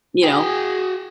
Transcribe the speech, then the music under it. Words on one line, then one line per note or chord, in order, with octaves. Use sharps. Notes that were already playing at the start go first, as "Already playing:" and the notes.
you know
F#4 G#4 G5